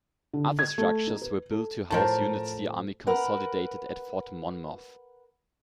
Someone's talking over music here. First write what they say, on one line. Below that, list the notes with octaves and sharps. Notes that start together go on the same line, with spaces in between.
Other structures were built to house units the Army consolidated at Fort Monmouth.
D3
G#6
A3
D#4
B4
A4
A2 F3 A#4 C5 A5
A#4 B4 F#5